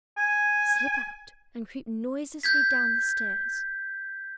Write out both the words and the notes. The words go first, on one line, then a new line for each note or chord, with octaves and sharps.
Slip out and creep noiselessly down the stairs.
G#5
G6 G#6 B6